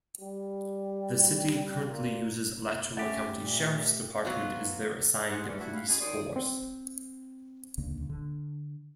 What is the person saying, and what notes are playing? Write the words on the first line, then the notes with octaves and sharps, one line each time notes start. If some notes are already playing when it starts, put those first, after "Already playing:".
The city currently uses Alachua County Sheriff's Department as their assigned police force.
G3
A#2
E2
A3 C#4 G4 E5 F#5 A6
A#2
F#3 B3 F4
G#4 C5 F#5
E3 G3 A#3 C#4 A4 D5
G3 A3 D4 E4 F#4
F5 F#5 B5
G#3 C#4 F#4 G#4
D#2 D5 G5 C6 D#6
C4
D#1 C#2 D3 A#3
D3